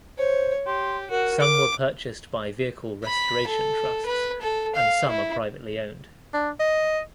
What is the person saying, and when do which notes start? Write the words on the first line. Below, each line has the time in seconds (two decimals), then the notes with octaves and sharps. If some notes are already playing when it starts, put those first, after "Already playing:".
Some were purchased by vehicle restoration trusts and some are privately owned.
0.18 C5 C#5
0.67 G4 C6
1.10 F#4 A#4
1.40 D6
3.05 B5
3.47 A4
4.06 B4
4.42 A4
4.76 F5
5.09 E4
6.34 D4
6.60 D#5